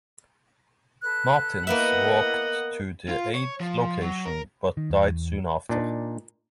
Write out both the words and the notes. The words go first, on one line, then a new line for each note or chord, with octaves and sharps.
Martins walked to the aid location but died soon after.
A4 B4 F#6
A#3 B3 E4 D#5 E5 F#5
F4
C#5
F3
F#3
A#4
D#3
E2
A#2 D4 D#4